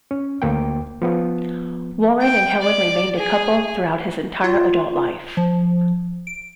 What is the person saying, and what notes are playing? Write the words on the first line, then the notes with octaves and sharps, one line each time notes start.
Warren and Helen remained a couple throughout his entire adult life.
C#4
D2 A#3 G5
F3 B3
G5
D5
G#4
F4
F3
D7